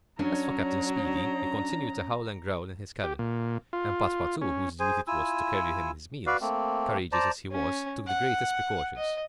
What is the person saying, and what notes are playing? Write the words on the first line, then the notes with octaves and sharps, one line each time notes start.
As for Captain Speedy, he continued to howl and growl in his cabin; and Passepartout, whose duty it was to carry him his meals, courageous as he was, took the greatest precautions.
F#3 C#4 D4 A#5
G4
A#2
F4
C#4
G#4 C5 G#5
E4 F4 G#5 E6
F#4 B4 D5 F5
A3 A#3 C4
C5 D5 A5 A#5
C#4
F#5
D#5